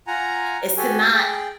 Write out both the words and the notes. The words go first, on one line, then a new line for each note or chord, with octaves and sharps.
is to not,
F4 F#5 G#5 A#5
F#4 G4 A4 G#5
G#4 G5